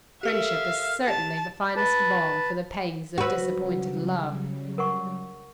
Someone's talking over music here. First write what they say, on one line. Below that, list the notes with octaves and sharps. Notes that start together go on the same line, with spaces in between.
Friendship is certainly the finest balm for the pangs of disappointed love.
G4 A4 A#4 E5 F5
G4 A5
B4 A5
C#3 F#3 G3 F#4 G4 B4 C5 E6
A#4 F#5 C#6